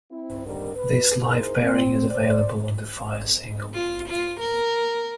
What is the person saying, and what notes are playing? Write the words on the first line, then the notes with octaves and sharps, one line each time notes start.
This live pairing is available on the "Fire" single.
C4 E4
D3 D#3 G3 D#4 A#4
B4
D#4 E4 G#4 A#4 C5
C4
C5 D5
F4
F4
A#4